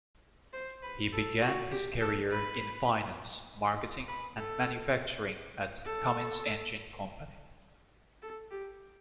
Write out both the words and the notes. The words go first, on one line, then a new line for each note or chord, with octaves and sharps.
He began his career in finance, marketing, and manufacturing at Cummins Engine Company.
C5
B4
A4
F#4
G4
A4
B4
B4
A4
A4
A4
G4